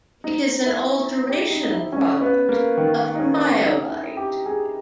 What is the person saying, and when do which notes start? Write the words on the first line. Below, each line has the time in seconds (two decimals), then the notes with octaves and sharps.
It is an alteration product of cryolite.
0.24 D#4
0.66 E4
1.30 G4
1.51 D#4
1.63 D#4
1.72 E4
1.92 C#4
2.21 B3
2.49 A#3
2.77 D#3
3.15 D#4
3.19 C#4
3.61 D#4
3.89 E4
4.17 G4
4.46 G#4